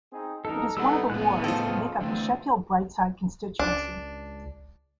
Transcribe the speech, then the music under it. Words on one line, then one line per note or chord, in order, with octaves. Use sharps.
It is one of the wards that make up the Sheffield Brightside constituency.
C4 D#4 G#4
A1 D#4 A4 A#4
G3 B3 D#4 A4 B4 F#5 E6
F2 A2 C#3 F3 B3 F#6
F4 A4 C5 D#5 G5
E2 D3 A3 C4
C#2 D4